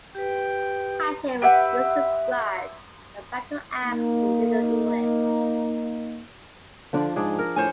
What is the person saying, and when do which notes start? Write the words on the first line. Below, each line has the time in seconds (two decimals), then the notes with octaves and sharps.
"Hachet" was used to describe a battle-ax in Middle English.
0.15 G4 B4 G5
1.42 G4 B4 E5 F#5
3.85 A#3 D#4
6.93 D3 F3 D4
7.16 G#2 D4 G#4
7.39 A#4
7.56 A2 C5 C#5 G#5